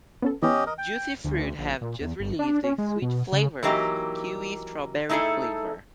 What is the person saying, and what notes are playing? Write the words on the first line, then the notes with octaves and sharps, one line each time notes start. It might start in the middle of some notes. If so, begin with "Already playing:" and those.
Juicy Fruit have just released a "Sweet Flavors" Kiwi-Strawberry flavor.
B3 C#4 A4
E3 B3 C#4 G4 D#5
A#4 D#5
G5
D2
A#1
A#2
E2
G1
D4
C#4
G#3
B2
C#3
E3 F#3 A#3 D#4 G4
A3 D#4 E4 G#4 A4